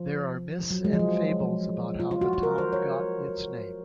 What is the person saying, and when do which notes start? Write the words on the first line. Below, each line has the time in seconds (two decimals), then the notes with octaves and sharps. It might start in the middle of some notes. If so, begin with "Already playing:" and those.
There are myths and fables about how the town got its name.
Already playing: F3
0.70 F#3
0.85 G#3
0.93 F3
0.99 F#3
2.00 F4
2.11 F4
2.21 F#4
2.33 F#4
2.43 A#4
2.58 C5
2.73 C#5